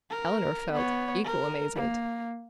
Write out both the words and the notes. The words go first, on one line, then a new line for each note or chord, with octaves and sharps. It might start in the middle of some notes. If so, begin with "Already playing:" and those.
Elinor felt equal amazement.
A#4
B3 C#5
A#4
A#3